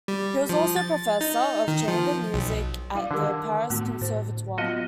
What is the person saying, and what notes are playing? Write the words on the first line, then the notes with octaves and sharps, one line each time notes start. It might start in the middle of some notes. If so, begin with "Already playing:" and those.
He was also professor of Chamber Music at the Paris Conservatoire.
G3
F3
A6
D#4
D#3
F3
B1
G2 E4 D5 F5
D3 D#3 D4 G4 A#4
A2 A3 B3 F#4
A2 C5
F#3 B3 F4 F#4 D#5